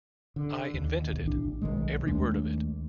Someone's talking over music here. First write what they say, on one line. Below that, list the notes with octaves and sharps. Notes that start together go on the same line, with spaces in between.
I invented it — every word of it.
D3
D#2
B1
A1 D4
B1 D#3 G#3
D#2 G#3 A3 D4